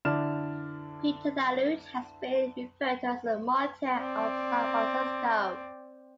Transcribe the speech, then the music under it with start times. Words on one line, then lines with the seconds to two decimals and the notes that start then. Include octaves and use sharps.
Peter the Aleut has been referred to as a "martyr of San Francisco".
0.05 D3 D4 E4 F6 E7
3.96 C4 D5